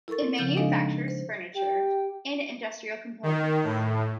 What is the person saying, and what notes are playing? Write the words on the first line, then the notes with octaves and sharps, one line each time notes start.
It manufactures furniture and industrial components.
E4 A4 A#4 C#6 A6
C4
C#3 F3 G6 A6
G#3 D4 D#4 A4 D#5 F5
C5
G4 G5
D#3
A2